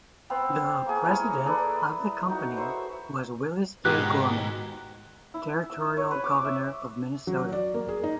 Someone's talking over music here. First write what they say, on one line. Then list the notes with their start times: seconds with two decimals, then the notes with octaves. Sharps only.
The president of the company was Willis A. Gorman, Territorial Governor of Minnesota.
0.30 B3 C4 C5 C6
0.86 A#3 G#4
1.04 E4 A#4 C#5 G#5
1.46 G#4 A4 B4 D5
2.29 D#4 F#4
2.57 C5 C#5 E5
3.85 G#2 B2 D#3 F4 G4 G#4 F#6
5.34 E4
5.70 E6
5.97 C#5
6.11 B4
6.24 D6
6.45 E5
7.27 F#3
7.52 D5
7.74 A#3
7.89 G#4
8.03 D#4